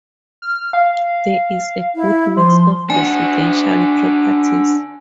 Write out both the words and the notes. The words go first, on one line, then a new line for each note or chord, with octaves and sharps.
There is a good mix of residential properties.
F6
F5
E4
F3 C6
D4 F#4 G#5